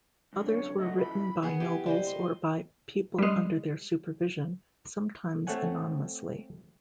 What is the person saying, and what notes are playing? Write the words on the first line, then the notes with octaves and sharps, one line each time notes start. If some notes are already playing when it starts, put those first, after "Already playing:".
Others were written by nobles or by people under their supervision, sometimes anonymously.
C2 F#2 D3
C#5
C#2 A3 F#4 D#5
G#2 F3 E4 B5
B3 G#4
E4 G4
G3 C5 D#5
C6
G3 G#3
A3 C4 A4 C#5 F#5 G#5